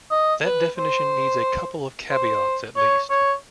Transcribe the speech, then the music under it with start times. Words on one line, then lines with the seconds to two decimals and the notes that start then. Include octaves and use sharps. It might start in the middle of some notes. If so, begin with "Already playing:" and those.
That definition needs a couple of caveats, at least.
0.11 D#5
0.45 B4
0.78 C5
2.11 C5
2.77 C#5
3.10 C#5